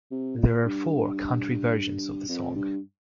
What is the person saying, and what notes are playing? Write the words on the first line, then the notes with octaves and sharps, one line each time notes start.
There are four country versions of the song.
C3
A#2
G2
F2
G2